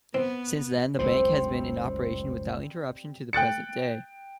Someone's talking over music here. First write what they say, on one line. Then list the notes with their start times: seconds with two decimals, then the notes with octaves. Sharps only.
Since then the bank has been in operation without interruption to the present day.
0.14 B3 C4
0.99 F#1 C#2 A2 G3 C4 C5
3.33 G5 F#6 A6 C#7